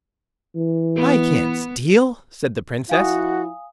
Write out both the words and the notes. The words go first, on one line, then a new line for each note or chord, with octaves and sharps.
'I can't steal', said the Princess.
E3
B3
F3 E4 F#4 F5 F#5 G#5 D#6